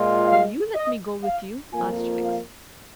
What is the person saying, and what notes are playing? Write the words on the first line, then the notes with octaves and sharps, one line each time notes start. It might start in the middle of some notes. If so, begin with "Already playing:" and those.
"Will you let me go with you?" asked Fix.
Already playing: A#2 G#3 F4
F5
D#5
F5
F2 F3 A#3 F4 G#5
F5